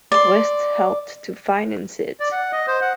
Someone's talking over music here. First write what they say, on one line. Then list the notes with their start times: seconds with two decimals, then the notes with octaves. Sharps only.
West helped to finance it.
0.12 D5 C6
2.20 D5
2.32 F#5
2.52 D#5
2.67 C5
2.81 F#5